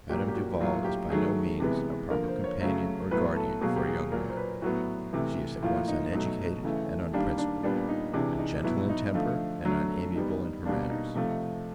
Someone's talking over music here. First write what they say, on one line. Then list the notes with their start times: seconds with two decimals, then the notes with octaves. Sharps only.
Madame Duval is by no means a proper companion or guardian for a young woman: she is at once uneducated and unprincipled; ungentle in temper, and unamiable in her manners.
0.09 A#2 F#3 A#3 G4
0.28 G4
0.34 F#4
0.59 A2 F#3 A#3 F4
0.84 G4
1.10 D#3 F#3 A3 G#4
1.60 C3 E3 G#3 B3
2.10 D3 F3 A#3 A#4
2.28 C5
2.44 C#5
2.61 C#3 F#3 A3
3.11 A2 F#3 B3 B4
3.36 A4
3.61 B2 F#3 A#3 G#4
3.76 G4
3.87 G#4
4.12 A#2 F#3 A#3 A#4
4.29 C5
4.37 B4
4.62 A2 F#3 B3 F#4
5.13 C3 E3 A3
5.62 A2 F3 A#3 F4
5.88 D#4
6.12 B2 F#3 A3 D#4
6.63 C#3 E3 A3
7.13 D#3 G3 A#3 D4
7.38 D4
7.63 A#2 G3 B3 D4
7.89 D#4
8.13 C3 E3 G#3 D4
8.39 D#4
8.64 B2 F#3 B3 E4
8.89 D#4
9.14 D3 F3 A3
9.65 D3 F#3 A3
10.15 D#3 G3 B3 D#4
10.65 B2 G3 A#3 D4
10.90 D#4
11.15 C3 F3 A3